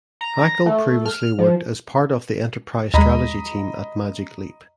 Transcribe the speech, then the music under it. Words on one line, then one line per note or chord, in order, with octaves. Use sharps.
Hackl previously worked as part of the Enterprise Strategy team at Magic Leap.
A#5
A3
F6
F3
D#2 G#3 D#5 A#5 B5